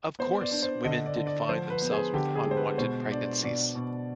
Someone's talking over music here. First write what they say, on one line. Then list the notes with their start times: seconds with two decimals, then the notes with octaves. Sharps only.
Of course, women did find themselves with unwanted pregnancies.
0.19 B3 C5
0.41 D5
0.51 D4
0.63 C5
0.85 D3 D#5
1.06 D5
1.17 D3
1.27 D5
1.49 F3 C5
1.70 B4
1.82 B3
1.92 G#4
2.14 D3 G4
2.35 G#4
2.46 G#3
2.51 C5
2.57 B4
2.78 B2 C5
3.11 D4 D5
3.43 B2 D5
3.75 B2